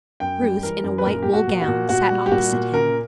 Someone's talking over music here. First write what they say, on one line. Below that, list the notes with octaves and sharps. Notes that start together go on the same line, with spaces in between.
Ruth, in a white wool gown, sat opposite him.
F#2 G5
G3
E3 A#4
F#2
B4
A#2 A#4
A#2 G4
F#4
A#2
F#4
A#2
A#2 F#4
G3
G4
A#2 F#4
A#2
C#3 A#4